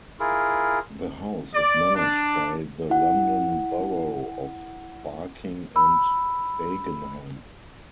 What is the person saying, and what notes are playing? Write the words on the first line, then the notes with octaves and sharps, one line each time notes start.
The house is managed by the London Borough of Barking and Dagenham.
E4 F4 G#4 A#4
D5
D4
E4 F#5
B5 E6